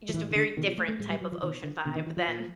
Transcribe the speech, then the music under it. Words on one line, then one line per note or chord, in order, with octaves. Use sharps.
just a very different type of ocean vibe than
F3
A2 E3
D#3
D3
B2 D#3
F3
A3
A3
A2 G#3
G3
F#3
F3
B2 D#3
D3
B2 D3
D#3
E3
F3
A#2